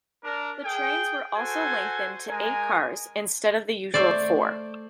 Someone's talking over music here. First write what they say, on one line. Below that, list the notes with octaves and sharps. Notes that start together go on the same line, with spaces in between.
The trains were also lengthened to eight cars instead of the usual four.
D4 A#4
G#4 G5
F#4 A4 C5 G#5
G#3 A#4 G#5
A3 C5 D5